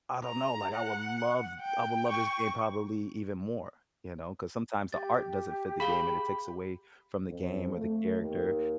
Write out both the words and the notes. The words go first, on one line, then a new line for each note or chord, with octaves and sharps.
"I don't know, like, I would love I would love this game probably even more," you know? 'Cause sometimes the art doesn't fit the game, and it takes away from the game, or the character,
A#5
F#5
G5
C#6
G4 A6
G#4 F5 B5 G7
F2
A3
D#2